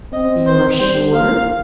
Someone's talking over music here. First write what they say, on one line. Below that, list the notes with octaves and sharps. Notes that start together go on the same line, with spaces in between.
"You are sure?"
C4 D#5
C5
G3 C5
A#3 F5